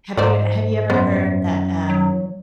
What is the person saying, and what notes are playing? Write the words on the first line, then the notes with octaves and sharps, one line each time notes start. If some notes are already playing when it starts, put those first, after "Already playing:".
Have you have you ever heard that, um,
G#2 C5 D5 D#5
F#2 B3 C5
F#3